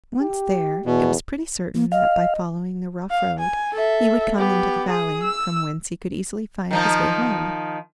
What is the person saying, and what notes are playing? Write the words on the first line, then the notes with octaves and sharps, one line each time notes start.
Once there, it was pretty certain that by following the rough road he would come into the valley, from whence he could easily find his way home.
G4
E2 B2
A#3
D#5 F5
F5
G#5
A4 E5
B3 G4
G#4 D#6
E6
D#3 F3 D#4